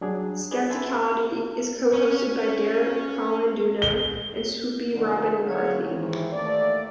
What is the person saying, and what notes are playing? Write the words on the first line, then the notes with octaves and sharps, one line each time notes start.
"Skepticality" is co-hosted by Derek Colanduno and "Swoopy" Robynn McCarthy.
F#3 G3 D4 G#4
G#4 B4 D5
E5 G#5 A5 B5 C6
C#4 C#5
G7
F2 D3 D#4 A#4
D3 F#3 A#3 G#4 C#5
G#2 D#3 E3
D#2 A3 D5